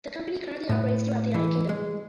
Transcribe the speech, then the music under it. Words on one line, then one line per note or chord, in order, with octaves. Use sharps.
The company currently operates throughout the United Kingdom.
A2
E3
G#3